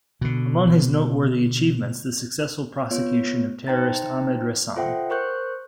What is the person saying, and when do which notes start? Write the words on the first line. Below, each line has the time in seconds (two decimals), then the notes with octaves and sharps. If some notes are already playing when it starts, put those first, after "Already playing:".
Among his noteworthy achievements the successful prosecution of terrorist Ahmed Ressam.
0.21 B2 D3
2.91 B3 F4 C#5
3.67 D#4 C5 G5 A#5 A6
4.76 F4 A4 C5 E5 F#5 G5
5.10 A#4 C5 C#6 F#6 G6